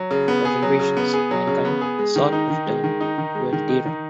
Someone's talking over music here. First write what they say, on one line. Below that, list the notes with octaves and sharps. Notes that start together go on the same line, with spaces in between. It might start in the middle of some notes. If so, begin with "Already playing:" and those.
For generations, mankind sought a return to Alterra.
Already playing: F#3
C#3
B3
G#4
F#3
C#3
B3
G#4
F#3
C#3
B3
G#4
G#3
D#3
D#4
D#3
G#3
D#3
D#4
D#3
G#3
D#3
D#4
D#3